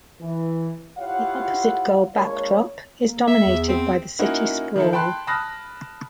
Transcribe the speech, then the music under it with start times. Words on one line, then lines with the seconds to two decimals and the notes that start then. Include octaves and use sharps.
The opposite goal backdrop is dominated by the city sprawl.
0.21 E3
0.98 E4 F4 G4 C#5 F5 F#5
2.15 G#3 A#3 D4 F4 A#4 C#5
3.05 A#3
3.28 E5
3.45 E2
3.68 C4
4.19 A#3 C#4 D#4 E4 F#4
4.76 D#3 E4 A4
4.93 G5 A5 B5 C6 F#6
5.27 A5 B5 D#6 F6 F#6 A#6